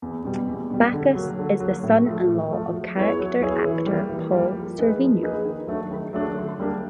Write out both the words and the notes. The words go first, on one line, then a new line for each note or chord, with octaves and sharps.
Backus is the son-in-law of character actor Paul Sorvino.
E2
B2 G3
E2
B2 G3
D3
F#3 A#3
D3
F#3 A#3
A2
F3 A3
A2
F3 A3
F#3
B3 E4 G#4 C#5
F#3
B3 E4 G#4 C#5
E3
G3 A#3
E3
G3 A#3
F3
A#3 D#4 G#4 B4
F3
A#3 D#4 G#4 B4
D#3
F#3 A3 D4
D#3
F#3 A3 D4
D3
G3 A#3 D4